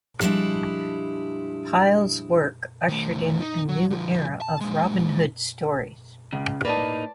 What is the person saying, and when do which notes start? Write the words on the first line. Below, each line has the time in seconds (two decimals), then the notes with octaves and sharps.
Pyle's work ushered in a new era of Robin Hood stories.
0.21 F3 G3 G#3 D4 E4
2.88 D#3 A3
3.41 D#4
3.69 F#3
3.90 D3 F3
4.41 A5
4.61 A#2 G#3
6.33 C#2 C#3
6.65 A2 A#3 D#4 B4 D5 A5